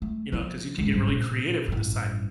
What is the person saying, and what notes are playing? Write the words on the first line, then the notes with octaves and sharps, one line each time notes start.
You know, 'cause you can get really creative with the side
A3
F3 E4
C#2 G#2
G#2 G3
A#1 A2
A1 G2